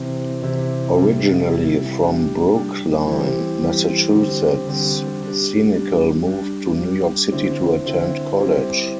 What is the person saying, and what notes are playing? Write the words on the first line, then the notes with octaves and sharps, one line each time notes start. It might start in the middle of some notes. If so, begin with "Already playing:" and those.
Originally from Brookline, Massachusetts, Senecal moved to New York City to attend college.
Already playing: C3 E3 C4 E4 G4
C3 E3 C4 E4 G4
C3 G3 E4
C3 G3 E4
G3 D4 G4
G3 D4 G4
E3 G3 C4 G4
E3 G3 C4 G4
D3 G3 C4 G4
D3 G3 C4 G4
G3 D4 G4
G3 D4 G4
G3 D4 G4
G3 D4 G4
D3 C4 E4
D3 C4 E4
G3 C4 E4 G4